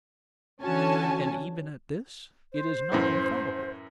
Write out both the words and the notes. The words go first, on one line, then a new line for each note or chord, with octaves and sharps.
And, even at this, it is not infallible.
D3 E3 C#4 F#4 G#5 A5
C5
F#2 A2 E3